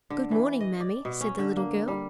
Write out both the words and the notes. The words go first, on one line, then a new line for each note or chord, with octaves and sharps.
"Good morning, mammy," said the little girl.
D3
E3
D#5
D5
B2
C#4
D3
A#3
G3